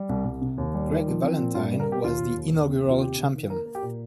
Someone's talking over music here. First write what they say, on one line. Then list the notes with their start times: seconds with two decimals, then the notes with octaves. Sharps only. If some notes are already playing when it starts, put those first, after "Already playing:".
Greg Valentine was the inaugural champion.
Already playing: G3
0.09 C2
0.25 C2
0.41 C3
0.58 D#2
0.74 G3
0.90 D#3
1.07 F3
1.23 C4
1.38 A#2
1.55 G2 F4
1.71 G3
1.80 A#4
1.88 A#3 G4
2.04 D#2 F4
2.20 D#2
2.36 D#2
2.52 D#2
2.68 C4
2.85 D#2
2.90 F4
3.01 C3 G4
3.18 C3
3.34 D#3
3.50 A#3 A#4
3.66 A#3
3.75 G4
3.83 A#2